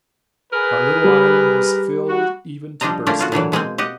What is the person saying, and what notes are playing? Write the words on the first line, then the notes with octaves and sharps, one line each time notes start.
Our little island was filled even to bursting.
G#4 A#4 B4
G3
F#4
F3 G3 D4 C5 D#5 A#5
D3 A3 A#3 C#4 F4 A#4
B3 F4 F#4
A#2 D3 E3 F#3
B2 G#3 A#3 C4
G4 D#5 F#5